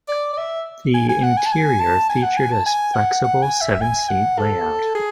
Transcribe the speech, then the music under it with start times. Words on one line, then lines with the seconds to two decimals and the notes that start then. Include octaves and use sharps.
The interior featured a flexible seven-seat layout.
0.09 D5
0.33 D5
0.38 E5
0.94 G#5
1.09 G#5
1.23 F#5
1.37 G#5
1.46 A5
1.52 G#5
1.80 A5
2.09 G#5
2.23 F#5
2.37 G#5
2.52 A5
2.66 G#5
2.94 F#5
3.24 F#5
3.43 G#5
3.61 E5
3.81 G#5
4.09 F#5
4.39 A4
4.95 G#4